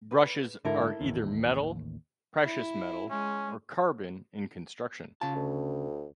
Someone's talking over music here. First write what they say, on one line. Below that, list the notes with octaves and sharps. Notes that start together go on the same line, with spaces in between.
Brushes are either metal, precious metal or carbon in construction.
B4
G#2 D3 E4 A4 A#4
A1 D#2
E4
G#3 C#4
C#3 F4 A5
D2